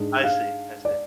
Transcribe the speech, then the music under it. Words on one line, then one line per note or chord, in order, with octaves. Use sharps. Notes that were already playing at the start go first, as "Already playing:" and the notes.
I see, I see.
Already playing: G#2 G#3 D4
F5
D5